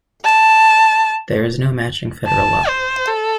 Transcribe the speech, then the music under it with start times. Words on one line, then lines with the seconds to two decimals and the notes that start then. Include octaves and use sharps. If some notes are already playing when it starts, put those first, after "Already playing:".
There is no matching Federal law.
0.25 A5
2.27 A5
2.68 C5
3.08 A4